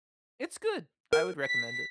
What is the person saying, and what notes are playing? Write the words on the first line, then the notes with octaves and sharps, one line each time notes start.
It's good, I would recommend it.
A#4
B6